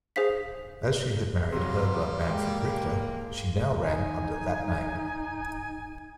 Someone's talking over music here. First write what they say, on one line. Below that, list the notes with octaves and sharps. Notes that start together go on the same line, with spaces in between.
As she had married hurdler Manfred Richter, she now ran under that name.
G#4 C5 F5 B6
C3 F#3 G3 F5 C6
G#3 A#3 G5 D6
D#4 G#5